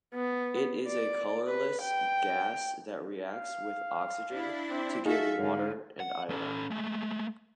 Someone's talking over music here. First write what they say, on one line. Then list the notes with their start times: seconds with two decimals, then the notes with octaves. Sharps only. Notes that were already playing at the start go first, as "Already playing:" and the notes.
It is a colourless gas that reacts with oxygen to give water and iodine.
0.14 B3
0.87 D5
1.47 B4
1.82 G5
3.29 F5
4.31 D4 E4
4.70 C4
5.06 D#4 F#4 G#4 A4 E5 F5
5.37 G#2 D3
6.00 F#5
6.30 C#4 A4
6.70 G#3 A3